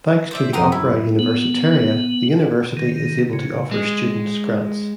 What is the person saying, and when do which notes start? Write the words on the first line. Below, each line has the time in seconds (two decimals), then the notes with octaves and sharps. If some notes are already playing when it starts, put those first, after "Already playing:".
Thanks to the Opera Universitaria, the University is able to offer students grants.
0.31 C5 D5 E5
0.53 F2 F#5 G5 A#5 C6 D#6
0.72 F#2 E4 B5
1.19 B3
2.77 D#3
3.33 C#3
3.71 G#3